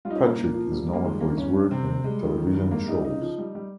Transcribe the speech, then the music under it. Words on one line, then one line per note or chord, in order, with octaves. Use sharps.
Patrick is known for his work in television shows.
G3 F4
D#4
C#4
A#2 A#3
A#2
F3
G3
G3
A#3
D#3 G#3
D#3 A#3
G2 C#4
G3
C3 C4
C3
G3 G#3
F2
D#3
G2
G#2 A#3
G3 D#4
C#3 D#4
F3
G3
G3